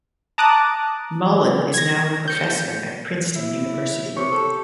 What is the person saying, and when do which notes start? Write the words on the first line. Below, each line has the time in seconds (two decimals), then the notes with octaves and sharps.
Mullen is now a Professor at Princeton University.
0.38 A5 A#5 D6 D#6 F#6
1.74 G#6 A#6
2.28 G6 C#7
3.36 E4
4.16 C3 G4 C#5
4.32 A4